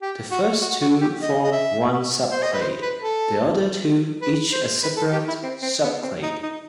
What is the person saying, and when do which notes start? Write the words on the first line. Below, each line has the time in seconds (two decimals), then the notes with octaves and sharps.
The first two form one subclade, the other two each a separate subclade.
0.02 G4
0.31 F#4
0.61 F#4
0.81 F#4
1.01 G4
1.22 D#5
1.44 D#5
1.52 E5
2.31 C5
2.43 D#5
2.53 B4
2.61 C5
2.82 B4
3.02 A4
4.22 B4
4.52 C5
4.83 B4
4.97 A4
5.13 G4
5.28 E4
5.43 C4
5.62 C4
5.83 B3
6.03 C4
6.23 D#4
6.43 D#4